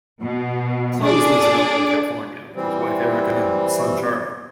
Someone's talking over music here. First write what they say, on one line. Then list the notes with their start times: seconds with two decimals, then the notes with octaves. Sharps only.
Clowes lives in Oakland, California, with his wife Erika and son Charlie.
0.22 B2
1.02 D4 G#4 A4 D5
2.56 E3 G3 C4